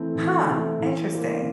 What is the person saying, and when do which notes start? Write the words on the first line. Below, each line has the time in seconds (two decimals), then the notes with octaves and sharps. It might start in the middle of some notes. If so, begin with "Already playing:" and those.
Huh. Interesting.
Already playing: E3 A3 C4 E4
0.16 E3
0.48 A3 C4 E4
0.80 E3
1.12 A#3 F4 C5